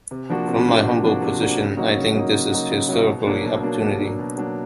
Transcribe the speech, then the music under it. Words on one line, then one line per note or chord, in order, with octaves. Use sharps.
From my humble position, I think this is a historical opportunity.
C3
F3 A#3 D4 F#4
C3
F3 A#3 D4 F#4
C3
F3 A#3 D4 F#4
C3
F3 A#3 D4 F#4
C#3
F#3 A#3 D#4 F#4
C#3
F#3 A#3 D#4 F#4
C#3
F#3 A#3 D#4 F#4
C#3
F#3 A#3 D#4 F#4
B2
F#3 A#3 D4
B2
F#3 A#3 D4
B2
F#3 A#3 D4
B2
F#3 A#3 D4